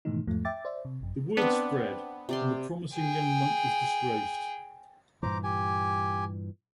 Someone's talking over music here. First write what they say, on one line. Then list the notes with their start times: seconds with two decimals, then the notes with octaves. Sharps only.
The word spread, and the promising young monk was disgraced.
0.05 G#2 B2 D#3 E3 A3 D#4
0.27 E2 G#2 F3 A3
0.45 E5 G5 D6 A6
0.65 C5 D5 E5
0.85 C3
1.00 G#1 F#2
1.37 B3 C4 D4
2.29 C3 D5 C6
2.94 G#4 G5
5.23 G2 A#2 E3 C5 A#5 D6
5.44 G4 G#5